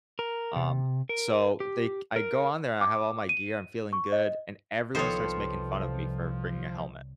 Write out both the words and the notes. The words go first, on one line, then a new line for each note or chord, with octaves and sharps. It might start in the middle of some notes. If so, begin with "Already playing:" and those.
um, so they I go on there, I have all my gear, I'm feeling good, and everyone starts making fun of me for bringing a helmet.
A#4
C3
A#4
G4
A#4
D6
D#7
C#6
D#5
C2 D#3 F3 B3 A4 C5 C#5